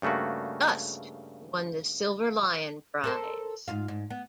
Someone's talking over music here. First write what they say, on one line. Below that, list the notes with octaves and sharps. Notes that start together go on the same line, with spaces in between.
"Dust" won the Silver Lion prize.
G2 C#3 A3 A#3 F#4
A4 A#4 C5
G#2 F4 F5
G#2
B3